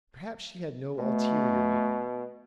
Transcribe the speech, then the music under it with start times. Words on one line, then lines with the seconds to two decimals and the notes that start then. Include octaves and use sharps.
Perhaps she had no ulterior meaning.
0.98 B2 A3